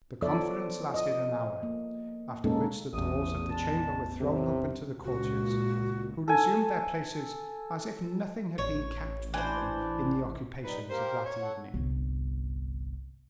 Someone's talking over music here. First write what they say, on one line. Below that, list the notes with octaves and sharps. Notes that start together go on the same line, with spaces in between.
The conference lasted an hour; after which the doors of the chamber were thrown open to the courtiers, who resumed their places as if nothing had been kept from them in the occupations of that evening.
F3 B3 A4 C#5 D5 E5
D#5
A#3
B2 G#3 A#3 C#4 D#4 A4
A1 E2 A3 D#6
A#2 G#3 A5
C3 F#3
C#2 A#2 F#4
A4 G#5
A1 C#5
E3 D4 C5
G3 D#4 B4
A#3 G4 A#4 C5
C#5
A4 F#5
G1 C2